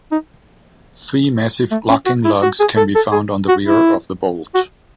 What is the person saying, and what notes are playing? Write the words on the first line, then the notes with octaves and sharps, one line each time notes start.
Three massive locking lugs can be found on the rear of the bolt.
D#4
A3
C#4
F#4
E4
F#4
G#4
A4
A4
G#4
F#4
E4
F#4